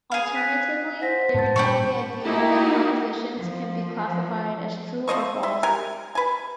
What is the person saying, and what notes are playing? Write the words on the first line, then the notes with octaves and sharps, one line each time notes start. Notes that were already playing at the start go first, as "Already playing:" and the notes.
Alternatively, they reject the idea that propositions can be classified as true or false.
G#4 F5
F#6 B6 D#7
C5 F#5 A#6 B6
G#2 A5 A6
A#2 G3 C#4 G4 B5 C#6
A#3 D#4 E4 F#4 G4
F3
F3 C5 D#5 C#6
E5 C6
G4 A#4 G#5
B4 G#5